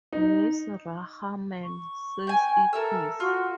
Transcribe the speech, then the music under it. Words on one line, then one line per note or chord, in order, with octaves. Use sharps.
Mrs. Rahman says it is.
D#4
C#6
G5 G#5
A4 A#4 E5 E6
F4 F#4